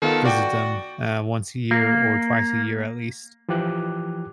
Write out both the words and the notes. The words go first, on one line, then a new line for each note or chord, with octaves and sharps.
visit them, uh, once a year or twice a year at least.
D#3 B3 F4 A4
F#4 D5 G5 D6
A#3
E3 F3 G4 D6 F#6